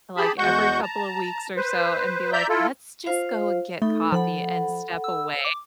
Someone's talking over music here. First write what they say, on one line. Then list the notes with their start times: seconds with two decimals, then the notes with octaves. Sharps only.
like, every couple of weeks or so and be, like, let's just go and get coffee and step away.
0.17 G4 G#4 A5 B5
0.38 E2 G#3 F#4 F#5 C#6 G6
0.82 A5 A#5
1.56 B4 C5
2.33 D5 E5 A#5 G6
2.49 E4 F4 A4
3.06 F4 C5 F5
3.82 A3 D#4 A4 B5
4.12 F3 A4 F#5 B5
5.04 E6
5.45 D6